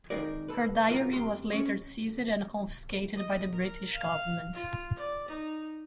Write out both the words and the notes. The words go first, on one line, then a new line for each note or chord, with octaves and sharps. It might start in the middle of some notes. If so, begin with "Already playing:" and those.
Her diary was later seized and confiscated by the British government.
F2 D#3 G#3 D#4 A#4 D5
A4 B4
E2 D3 G#3 F4 A#4 A#5
F2 G4 C6
G#3 C#4 C#5
D#5
A#4
F5
F4
D5
D#4